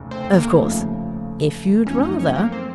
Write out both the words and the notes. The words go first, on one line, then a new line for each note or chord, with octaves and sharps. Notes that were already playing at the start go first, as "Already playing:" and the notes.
Of course, if you'd rather ...
Already playing: F1 D#2 C#3 A3
C4
A#3
D#2 C#3 F3 A3
F#2 F3 A3 C#4
D#4
C#4
A#3
C4